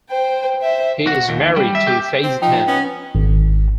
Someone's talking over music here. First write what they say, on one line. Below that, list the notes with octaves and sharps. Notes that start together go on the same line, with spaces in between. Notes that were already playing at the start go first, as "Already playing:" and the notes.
He is married to Feyisetan.
C5 G5
C5 E5
F#4
D#2
G3
E5
G4
C4
F3 D#4 G5
B3 C#4
G#1